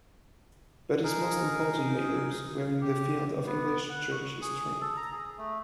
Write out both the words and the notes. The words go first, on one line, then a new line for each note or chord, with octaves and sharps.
But his most important labours were in the field of English church history.
D#4 G#4 A#4
G4
B3
F#5
C#6
G#4
A4
A#5
G#4
A3